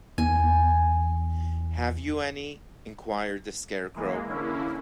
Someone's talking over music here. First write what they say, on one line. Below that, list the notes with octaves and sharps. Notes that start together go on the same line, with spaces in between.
Have you any? enquired the Scarecrow.
E2 G#5
E3 G#3 A#3
D3 A#3 C#4 E4